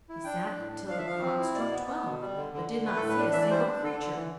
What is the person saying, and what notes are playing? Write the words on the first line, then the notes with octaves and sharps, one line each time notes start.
He sat till the clock struck twelve, but did not see a single creature.
E4
D4 G5
D4
A2
D4
F3 F5
E5
F3 F5
C4
E4
B2 D5
B3
B3
B2
G3
D3
D3
D3
A3 B4
A2 A4
B4
D4
E3 E5
D5
G3 C5
D4
D3 A4
D3
E3